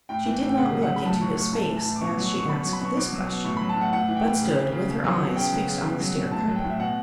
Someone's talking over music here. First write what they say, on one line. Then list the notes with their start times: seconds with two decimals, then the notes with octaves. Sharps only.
She did not look into his face as she asked this question, but stood with her eyes fixed on the stair-carpet.
0.09 A2 G5
0.26 E3
0.42 A2
0.49 G5
0.57 C#3 F#5
0.74 F#3
0.82 F#5
0.90 C#3
0.96 B5
1.05 A2 A5
1.21 F#3 C#6
1.37 A2 C#6
1.53 A2 A5
1.69 E3
1.77 A5
1.86 A2
1.96 D6
2.01 B2 C#6
2.17 F#3
2.25 C#6
2.33 B2
2.39 C#6
2.49 B2 B5
2.60 C#6
2.65 F#3
2.73 B5
2.81 B2 C#6
2.97 B2 D6
3.13 F#3
3.29 B2
3.44 A2 C#6
3.57 B5
3.61 F#3
3.69 A5
3.76 A2
3.81 F#5
3.93 A2 F#5
4.08 E3
4.16 G5
4.25 A2
4.41 C#3
4.57 E3
4.72 C#3
4.89 B2
5.04 F#3
5.20 B2
5.36 C#3 G5
5.53 F#3
5.68 C#3
5.84 B2
6.00 F#3
6.16 B2
6.32 A2 A5
6.48 F#3
6.56 G5
6.64 A2
6.70 E5
6.80 B2 F#5